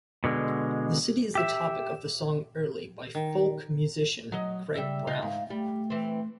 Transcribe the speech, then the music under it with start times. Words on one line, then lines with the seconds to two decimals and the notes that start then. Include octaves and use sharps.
The city is the topic of the song "Early", by folk musician Greg Brown.
0.24 B2 D3 G#3
1.35 G4 E5
3.15 D#3
4.32 F#3 D#5
4.75 C#3 G3 E5
5.07 C#3 D#4 F4
5.22 G#2 F5
5.50 G3 A3
5.90 E3 C4